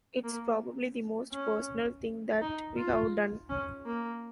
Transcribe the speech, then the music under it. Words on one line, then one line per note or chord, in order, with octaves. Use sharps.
It's probably the most personal thing that we've done.
A#3
C#4
D#4
F4
C#4
A#3